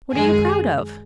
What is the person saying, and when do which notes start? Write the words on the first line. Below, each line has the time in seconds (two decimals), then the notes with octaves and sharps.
What are you proud of?
0.12 F#2 D#3 G#3 G#4